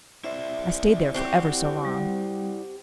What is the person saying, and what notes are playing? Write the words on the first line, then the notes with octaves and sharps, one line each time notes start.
I stayed there for ever so long.
E4 C5 D5 E5
C4 F#4 G4
G3